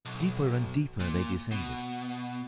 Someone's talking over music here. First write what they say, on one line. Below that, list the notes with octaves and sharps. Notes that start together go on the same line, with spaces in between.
Deeper and deeper they descended.
B1
A#2
B2